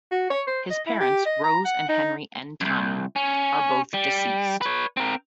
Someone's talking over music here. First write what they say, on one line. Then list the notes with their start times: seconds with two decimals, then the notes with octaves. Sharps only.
His parents, Rose and Henry N. Tani, are both deceased.
0.11 F#4
0.30 C#5
0.47 C5
0.70 D#5
0.86 E4
1.00 G4
1.25 D#5
1.43 A#5
1.65 F#5
1.89 D#4
2.61 C2 F#2
3.16 C#4
3.94 G3
4.61 B4 C#5
4.97 C4 A#4